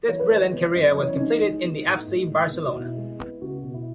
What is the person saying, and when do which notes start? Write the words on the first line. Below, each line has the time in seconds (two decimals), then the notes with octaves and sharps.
This brilliant career was completed in the FC Barcelona.
0.08 E3 C#5
0.20 B4
0.29 G#3 C#5
0.53 B3
0.74 F#2 D#5
0.97 E3 C#5
1.14 C#4
1.19 G#3 D#4
1.41 G#3
1.63 B3
1.86 A2
2.07 A2
2.30 G#3
2.52 B3
2.66 F#4
2.75 B2 E4
2.97 G#3
3.19 B3
3.41 C#2 F#4
3.63 B2
3.74 E4